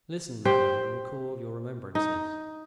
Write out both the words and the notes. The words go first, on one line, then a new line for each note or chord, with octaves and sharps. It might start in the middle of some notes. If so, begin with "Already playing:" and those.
Listen, madame, and recall your remembrances.
G4 C5 G5
D#4